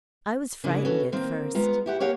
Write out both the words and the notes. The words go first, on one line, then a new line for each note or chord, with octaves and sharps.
I was frightened at first.
C#3 A#3 D4 E4
C#4 F#4 A4 B4
D#3 A#3 C4
G#3 B3 F4 A#5
E4 G4 F#5
A#3 G4 C#5 F5 F#5